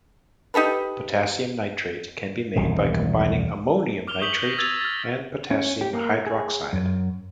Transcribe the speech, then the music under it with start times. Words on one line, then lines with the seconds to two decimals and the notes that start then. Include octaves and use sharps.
Potassium nitrate can be made by combining ammonium nitrate and potassium hydroxide.
0.54 D#4 G4 A4 B4
2.56 E1 C2 F#2 D#3
4.07 D6 F6 F7 G7
4.21 C#6 D#6 G6 B6 F#7 G7
4.42 G6 A#6 B6
4.58 E6 G#6 A6 F7
4.81 F6 A6
5.51 C#4
5.81 G4
5.93 A#3
6.27 G#4
6.73 F#2